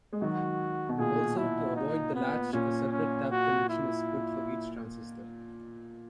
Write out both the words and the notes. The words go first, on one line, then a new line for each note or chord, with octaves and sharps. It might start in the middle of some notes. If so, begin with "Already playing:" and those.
Also to avoid the latch, a separate tap connection is put for each transistor.
G#3
D#3 F#3 F#4
B2
A#2 G#4
E4
D#4
B3
A#2 C#4
C#4
F#4
E4